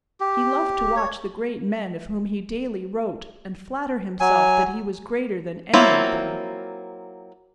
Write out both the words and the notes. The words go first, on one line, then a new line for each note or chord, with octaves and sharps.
He loved to watch the great men of whom he daily wrote, and flatter himself that he was greater than any of them.
G4
C#5
F#3 G#5
F#3 A#3 C4 E4 F4